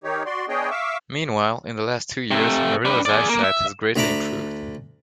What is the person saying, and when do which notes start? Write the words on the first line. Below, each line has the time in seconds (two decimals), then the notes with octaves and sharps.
Meanwhile, in the last two years, Marilla's eyesight has greatly improved.
0.04 D#3 D#4 G4 C#5
0.26 F#4 D5 C6
0.49 B3 D4 G#4 C#5 D#5 G5
0.71 E5 F5 C#6 D6 E6
2.31 C3 A3
2.85 D4 B4
3.06 G#4 D5
3.29 A#3
3.44 E5
3.96 D2 D4 E5 A#5 B5 D6